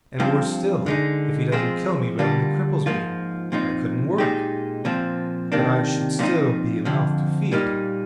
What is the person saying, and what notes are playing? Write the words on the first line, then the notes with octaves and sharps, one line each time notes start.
And worse still, if he doesn't kill me but only cripples me: I couldn't work, but I should still be a mouth to feed.
G2 F3 C4
D3 G#3 D#4
F3 G#3 C4 F4
D3 G3 A#3 D4 F4
G#2 F3 A#3 F4
A#2 F3 C4 D#4
A#2 G#3 D#4 G4
A#2 F3 C4
C3 D#3 A#3 D4
A#2 F3 C4 D#4
F2 D3 F3
A#2 G3 A#3 D#4